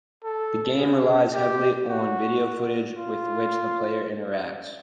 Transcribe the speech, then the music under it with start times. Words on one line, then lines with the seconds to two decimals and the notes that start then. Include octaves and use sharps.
The game relies heavily on video footage, with which the player interacts.
0.24 A4
0.78 G#4
1.33 G4
1.87 F#4
2.96 F4